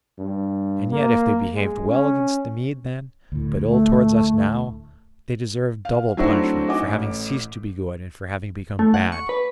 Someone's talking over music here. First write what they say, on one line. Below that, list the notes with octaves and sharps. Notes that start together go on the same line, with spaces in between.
And yet if they behaved well against the Mede then, but ill towards us now, they deserve double punishment for having ceased to be good and for having become bad.
G2
A#3
G#3
C#4
D2 A2
A3
F5
F#3 A3 C4 D4 E4 F#4
F#4 D#5 F#5 G#5 D6
A1
A3
F#5
C#6
B4